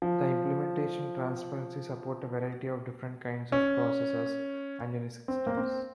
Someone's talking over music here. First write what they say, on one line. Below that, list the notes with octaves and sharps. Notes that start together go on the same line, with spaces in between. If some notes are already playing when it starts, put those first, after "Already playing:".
The implementation transparently supports a variety of different kinds of processors and Unix systems.
F3
C#4
C4
A#3
C4